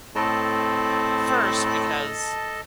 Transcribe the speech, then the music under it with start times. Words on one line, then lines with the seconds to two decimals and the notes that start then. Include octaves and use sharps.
First, because
0.16 A2 C4 A4 D#5 A5